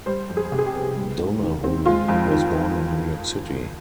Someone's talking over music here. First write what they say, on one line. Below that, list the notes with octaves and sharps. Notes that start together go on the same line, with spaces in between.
Donahue was born in New York City.
G3 C5
F2
G#4
C3
G#4
G4
B3
G3
G#2
D#3
C4
G#3 F4
F2
D#3